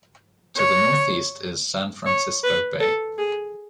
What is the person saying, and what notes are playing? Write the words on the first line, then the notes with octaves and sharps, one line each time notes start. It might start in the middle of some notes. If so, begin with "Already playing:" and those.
To the northeast is San Francisco Bay.
C#5
C#5
B4
A4
G#4